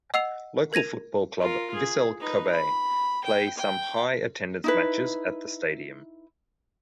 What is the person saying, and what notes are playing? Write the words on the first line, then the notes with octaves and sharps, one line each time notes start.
Local football club Vissel Kobe play some high attendance matches at the stadium.
D#5 F#5 E6 C7 F7
A#4 G#6 A#6 D#7 F7
F4 A#4
G#4
D#4 B4
B5
G5
G5
D#4 E4 B4